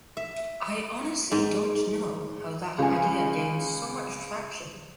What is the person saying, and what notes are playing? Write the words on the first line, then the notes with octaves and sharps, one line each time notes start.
I honestly don’t know how that idea gained so much traction.
E5
G#2
C#2 G#5